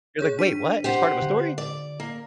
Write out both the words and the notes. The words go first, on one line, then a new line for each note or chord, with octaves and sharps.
You're like, "Wait, what? It's part of a story?
G#4 C#5 G6
D4 B6 D#7
G4 C5 F#5
D3
D5
A#3